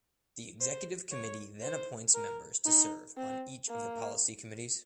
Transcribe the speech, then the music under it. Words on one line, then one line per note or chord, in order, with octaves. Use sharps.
The Executive Committee then appoints members to serve on each of the policy committees.
C5
C#5
C5
A#4
D#4
C4
A#3